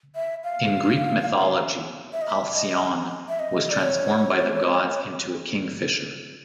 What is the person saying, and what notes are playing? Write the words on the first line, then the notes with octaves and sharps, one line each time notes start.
In Greek mythology, Alcyone was transformed by the gods into a kingfisher.
E5
F5
E5
D#5
E5
D#5
E5
D#5
D5
C#5